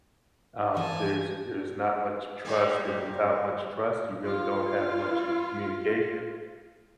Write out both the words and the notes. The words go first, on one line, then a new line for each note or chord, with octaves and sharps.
um, there's there's not much trust, and without much trust, you really don't have much in communication,
E3 A#4 D#5 G#5 A5
A#2 G3 A#3
F4 F5